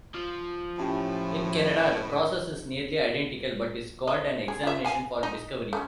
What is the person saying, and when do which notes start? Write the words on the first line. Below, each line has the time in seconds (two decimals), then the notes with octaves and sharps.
In Canada, the process is nearly identical but is called an examination for discovery.
0.15 F3
0.78 A2 C#4 E4 G4 A5
4.08 D#5
4.48 G#4
4.63 F4 E5
4.84 F5 G#5
5.23 D#4
5.73 A3 C#4